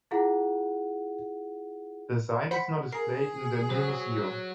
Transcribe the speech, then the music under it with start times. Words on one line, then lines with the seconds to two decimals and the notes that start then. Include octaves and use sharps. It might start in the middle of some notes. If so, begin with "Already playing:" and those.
The sign is now displayed in their new museum.
0.11 E4 F4 G#4 F5 F#5
2.51 C5 F#5 B5 B6 C#7
2.92 G#4 A#4 C7
3.70 F#3 F#4 C5